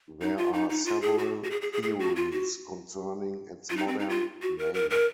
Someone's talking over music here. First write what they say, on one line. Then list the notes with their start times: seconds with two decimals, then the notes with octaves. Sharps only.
There are several theories concerning its modern name.
0.22 D#4
0.38 F4
0.54 D#4
0.70 D#4
0.86 F4
1.02 G#4
1.19 F#4
1.44 F#4
1.51 G#4
1.62 G#4
1.73 G#4
1.83 G#4
2.00 F#4
2.16 F4
2.32 F#4
3.70 F4
3.77 D#4
3.88 C4
3.99 D#4
4.09 F4
4.42 F#4
4.58 A#4
4.74 A#4
4.91 A#4